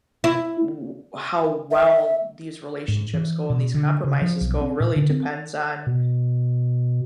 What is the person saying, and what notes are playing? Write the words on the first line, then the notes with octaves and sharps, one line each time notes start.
w w how well these relationships go and these compromises go really depends on
E4
E5
G#2
E3
B2
D3
C#3
F3
B1
C4
A#2
D3
C4
B2